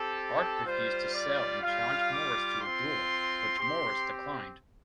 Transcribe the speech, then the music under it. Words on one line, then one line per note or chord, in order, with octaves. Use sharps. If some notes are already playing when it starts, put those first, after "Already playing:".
Art refused to sell and challenged Morris to a duel, which Morris declined.
Already playing: C4 G4 A4
G3 F4 C5
D5
G3 F4 F5
D6
C4 F4 C6
C4 G4 C6